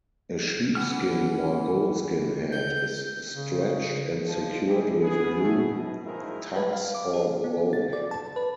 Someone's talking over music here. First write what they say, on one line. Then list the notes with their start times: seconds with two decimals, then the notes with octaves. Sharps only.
A sheepskin or goatskin head is stretched and secured with glue, tacks or both.
0.75 E3 C#4 F#5 F6
2.52 G6
3.34 C#3
4.24 C#2 F3
4.65 E3 G3 C4 G4 G#4
5.00 B3 G#4
5.39 A3 C#4 F#4 G#4
5.69 F#2 B2
6.03 G#2 D#3 F3 E4 G#4 A#4
6.56 B4
6.73 F5
6.95 D6
7.13 G#4
7.44 B3
7.73 A6
7.93 D5
8.11 A5
8.36 B4